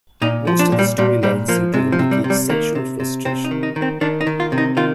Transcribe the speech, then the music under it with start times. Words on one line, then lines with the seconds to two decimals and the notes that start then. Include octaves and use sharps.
Most of the storylines seem to indicate sexual frustration.
0.22 A#2 D#4
0.47 F3
0.59 D4
0.72 A#2
0.79 G3
0.98 A#2 G3
1.23 A#2 G3
1.48 F3 A#3
1.74 C3 G#3
1.92 F3
1.99 C3
2.11 G3
2.24 C3
2.30 G3
2.49 D#3 A#3
2.75 C3
3.00 C3
3.25 C3 C4
3.45 D#4
3.51 D#3
3.63 D#4
3.76 D#3
3.82 C4
4.01 D#3 D4
4.21 D#4
4.27 D#3
4.40 F4
4.52 C3
4.58 D#4
4.77 D#3 F4